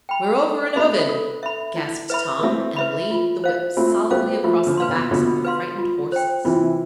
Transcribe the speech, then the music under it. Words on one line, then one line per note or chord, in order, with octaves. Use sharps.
"We're over an oven!" gasped Tom, and laid the whip solidly across the backs of the frightened horses.
G5 B5
A4
B3 D4 E5 B5
A4
E5 B5
E4
B4 E5 B5
B3
A3 C4 E4
B4 E5 B5
F4
C5 F5
A3 C4 F4
G3 B3 C5 F5
F3 A3 F4
D3 F3
B4 F5 C6
B2
B2 D3 F4
B4 F5 C6
F4
C5 G5
C3 E3 F4